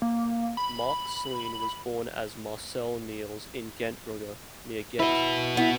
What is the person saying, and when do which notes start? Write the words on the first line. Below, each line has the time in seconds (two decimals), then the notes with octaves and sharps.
Marc Sleen was born as Marcel Neels in Gentbrugge, near Ghent.
0.02 A#3
0.57 B5
5.00 E4 F#4 B4
5.57 B3 E4